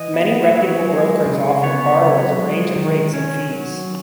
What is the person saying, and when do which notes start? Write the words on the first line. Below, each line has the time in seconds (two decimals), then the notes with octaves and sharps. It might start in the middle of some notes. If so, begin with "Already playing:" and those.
Many reputable brokers offer the borrowers a range of rates and fees.
Already playing: E3 D#5
0.14 B3
0.51 F#3
0.89 G#3
1.26 C#3
1.63 B3 C#5
2.01 F#3
2.39 G#3
2.76 D#3
3.14 C#4
3.51 F#3